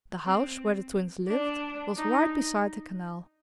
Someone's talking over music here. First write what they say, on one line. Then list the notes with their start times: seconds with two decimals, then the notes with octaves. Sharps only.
The house where the Twins lived was right beside the canal.
0.26 C4
1.28 D4
1.97 D#4